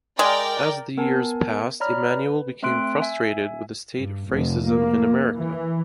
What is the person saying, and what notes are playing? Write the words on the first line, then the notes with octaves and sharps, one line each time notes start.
As the years passed Emanuel became frustrated with the state of racism in America.
G#3 A#4 D5 G5
B3 A#4 G#5 A5
C#5 D5 A#5 B5 F6
B4
A3 C4 E5 C6 F#6 D7
E5 G#5
G2
F1
A#3
E3